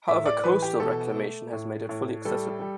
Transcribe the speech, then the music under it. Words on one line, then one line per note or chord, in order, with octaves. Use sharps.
However, coastal reclamation has made it fully accessible.
A2 E5
D5
E3 B4
G4
B2 A4
A3
A2
A2
G3 A4
G3